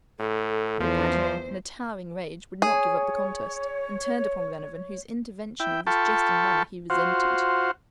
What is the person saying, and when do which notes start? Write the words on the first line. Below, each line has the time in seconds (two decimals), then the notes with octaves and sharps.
But Paganel, in a towering rage, would not give up the contest, and turned upon Glenarvan, whose intervention in this jesting manner he resented.
0.19 A2 A4
0.80 E2 F3 C5
2.62 G#4 C#5
5.60 E4 G5
5.87 F4 A4 G5 A5 B5 C#6
6.90 F4 F#4 C5